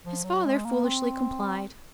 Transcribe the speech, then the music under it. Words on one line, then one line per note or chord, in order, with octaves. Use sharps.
His father foolishly complied.
F3
F#3
G#3
A#3
C4